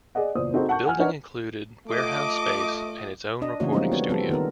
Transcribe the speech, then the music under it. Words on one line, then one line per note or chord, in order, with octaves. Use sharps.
The building included warehouse space and its own recording studio.
G#4 D5 D#5 F#5
F#1 E2 A#2 C5 D5 D#6
C4 D#4 F#4 G#4 A4 C5
F#5 A5 C#6 G6
F#5 G#5 F6
D4 D#4 B4 C#5 F#5
A3 F4 D#5 D6
D4 D#5
C#3 E3 A3 A#3 F#4 C#5
F3 G3 G#3 A#3 C4 D#4
B3 F#4 C#5
F3 G3 B3 C4 A4
D#3 B3 A#4